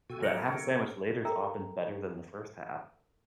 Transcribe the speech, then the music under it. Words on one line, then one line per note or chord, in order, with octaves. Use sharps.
that half a sandwich later is often better than the first half.
B2 F#4 A4 G5 G#5 E6
A#2 F#3 A#3 A#4 A#6 C#7 D7
C#4 C#5
A4 A#4 E5 G5 A#5